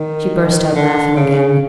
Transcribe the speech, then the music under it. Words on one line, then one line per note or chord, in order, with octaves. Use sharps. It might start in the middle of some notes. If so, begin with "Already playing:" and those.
She burst out laughing again.
Already playing: D#3
D3
C#3